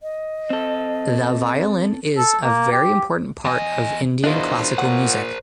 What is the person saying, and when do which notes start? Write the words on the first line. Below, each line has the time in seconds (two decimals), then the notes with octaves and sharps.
The violin is a very important part of Indian classical music.
0.02 D#5
0.50 C4 A4
2.17 A4
2.43 A#3
2.72 G4
3.45 E2 D#5 G#5
4.24 E2 D4 D#4 F4 A#4 C5 D#5
4.78 A#2 C#5 F#5